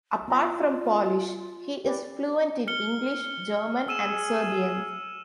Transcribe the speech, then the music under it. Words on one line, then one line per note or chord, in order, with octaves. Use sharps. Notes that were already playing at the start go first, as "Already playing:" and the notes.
Apart from Polish, he is fluent in English, German, and Serbian.
B3 F4 A#5
G4 B4 D5
F6 C#7 G7
G#4 E6 D#7 E7